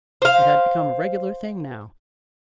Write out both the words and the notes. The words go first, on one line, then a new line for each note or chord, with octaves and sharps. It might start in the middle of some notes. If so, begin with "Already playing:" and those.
It had become a regular thing now.
C5 F5